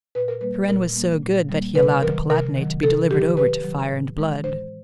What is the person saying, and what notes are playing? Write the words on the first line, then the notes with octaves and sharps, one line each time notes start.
Turenne was so good that he allowed the Palatinate to be delivered over to fire and blood.
A#2 B4
A#4
G3 A#3 B4
A#2 A#4
G3 A#3
A#2
G3 A#3
C3 B4
D#3 F#3 A#4
C3 A#4
D#3 F#3
C3 A4
D#3 F#3 G4
C3 B4
D#3 F#3
A2
E3 G#3
A2 C5